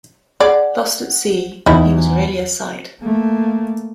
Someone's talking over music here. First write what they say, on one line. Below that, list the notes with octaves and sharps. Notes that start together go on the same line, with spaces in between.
Lost at sea he was really a sight.
G#4 D5 F#5
E2 D#4 E4
A3 A#3